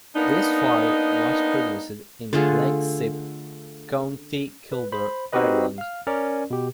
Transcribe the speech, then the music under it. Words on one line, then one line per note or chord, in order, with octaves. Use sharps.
This file was produced in Leixlip, County Kildare, Ireland.
A#3 B3 D4 D#4
D3 A3 F4 G#4
B4
C5 B5
C4 D#4 F#4 G4 B4 D#5
F5 F6
C#4 A#4 D5
B2 G4